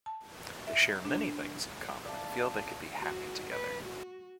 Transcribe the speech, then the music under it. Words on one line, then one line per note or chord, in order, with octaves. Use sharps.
They share many things in common and feel they could be happy together.
A5
E5
D4
D5 E5 F5 A5
F#4
B4
F#4